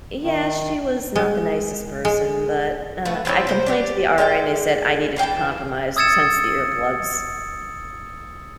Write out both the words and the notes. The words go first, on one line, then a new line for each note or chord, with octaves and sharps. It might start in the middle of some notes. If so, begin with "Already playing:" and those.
Yeah, she was not the nicest person, but, uh, I complained to the RA, and they said I needed to compromise s hence the earplugs.
D#3
G#3
G#3
A3 F#4 B4
F3 C4 E4 C#5
C3 C5
D4 G4 D5
G#3 D5 F#5 G5
E3 F5 G5 A5
D#6 E6 G#6 A6 C#7 E7